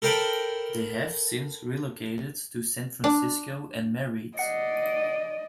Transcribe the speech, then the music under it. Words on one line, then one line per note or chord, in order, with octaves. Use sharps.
They have since relocated to San Francisco and married.
A4 A#4 C5 G5 A5 B5
D4
D5 D#5 F#5 C#7